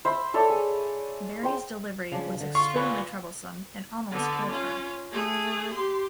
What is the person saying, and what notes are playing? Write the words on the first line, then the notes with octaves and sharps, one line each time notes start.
Berry's delivery was extremely troublesome and almost killed her.
C5 E5 B5
A4 C#5 D5 E5
G#4
C5 G5 C6
C#3 F3 D4
D3
F4 C#6
A#2 B4
D3 B3
C#4 F4
A3 G#4
G4 C6